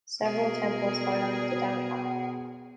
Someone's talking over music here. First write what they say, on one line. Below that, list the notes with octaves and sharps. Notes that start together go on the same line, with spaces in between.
Several temples highlight the downtown area.
B2 G#4 A#4